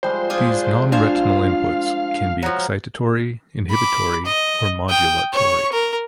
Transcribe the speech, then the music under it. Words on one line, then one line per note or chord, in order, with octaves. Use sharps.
These non-retinal inputs can be excitatory, inhibitory, or modulatory.
F3 G3 G#3 C5
D4 F4 G#4
F3 D4 C5 F5 G#5
F3 F#3 F#5 A#5
B5 D6
D#5
G5 D#6
C#5 C#6
A#4